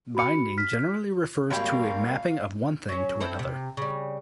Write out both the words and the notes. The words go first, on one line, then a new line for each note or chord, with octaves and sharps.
Binding generally refers to a mapping of one thing to another.
F#4 B5 C#7
F6 B6
G#1 G3 A#3 G4 F5 G#5 B5 C#6
F#3 C#4
C4 E4 A4
C3
C#3 G3